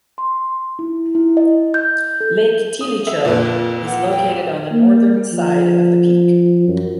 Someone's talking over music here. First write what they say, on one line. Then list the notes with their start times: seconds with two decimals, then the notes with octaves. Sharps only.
Lake Tilicho is located on the northern side of the peak.
0.18 C6
0.79 E4
1.15 E4
1.37 D#5
1.74 G6
2.21 A4
2.81 D#6
3.07 E5 F7
3.25 F2 A#2 B4
3.87 F#5
4.11 G5
4.72 A#3
5.33 F3
6.68 F#2